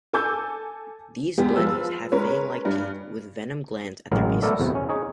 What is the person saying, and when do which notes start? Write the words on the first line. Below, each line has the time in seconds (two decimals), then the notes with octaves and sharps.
These blennies have fang-like teeth with venom glands at their bases.
0.13 A4 G#5 D6 E6 G6
1.38 E2 G#3 B3 G4
1.56 F3 G#3 B4 E6
2.12 G#3 C#4 A#4 B4 C#5
2.65 G2
4.11 A1 D#3 F#3 G#3 A#4
4.42 A3 B3 A4 A#4 D5 E5
4.60 E2 C3 F#4
4.75 C#4
4.89 D#4 G#4 C#5